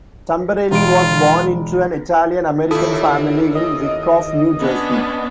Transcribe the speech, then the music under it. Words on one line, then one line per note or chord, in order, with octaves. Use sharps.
Tamberelli was born into an Italian American family in Wyckoff, New Jersey.
E1 F4 D7
D#2 E4 F4 A4 D#6
D#5
B3 C#4 D4